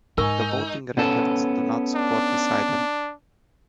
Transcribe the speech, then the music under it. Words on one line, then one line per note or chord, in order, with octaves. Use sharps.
The voting records do not support this either.
G#2 D#4 A#4 G#5 C#6 E6
B3 C#4 A4
D4